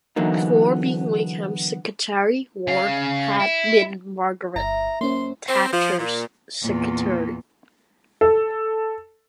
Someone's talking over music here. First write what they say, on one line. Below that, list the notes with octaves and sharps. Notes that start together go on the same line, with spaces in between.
Before being Wakeham's secretary, Ward had been Margaret Thatcher's secretary.
D3 E3 F#3 A#3 B3 D#4
C#3 F5
E4
G1 E4 A#5
F#2 A#3 C#4 C5 C6
C4
F3
A#2
E2 A#2
A4